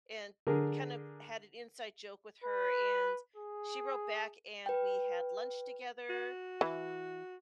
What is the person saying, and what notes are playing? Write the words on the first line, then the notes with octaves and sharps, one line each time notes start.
and kind of had an inside joke with her, and she wrote back and we had lunch together,
D3 G#4 A#4
B4
G#4
B4 G5
F#4
E3